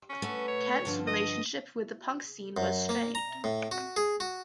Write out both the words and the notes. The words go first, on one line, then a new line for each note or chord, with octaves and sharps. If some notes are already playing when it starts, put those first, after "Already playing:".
Kent's relationship with the punk scene was strained.
C#4
A3 F#4 B4
C#5
G2 D3 F3
D#5
F#2
A#3
A#5
A2
F#4
G#4
F#4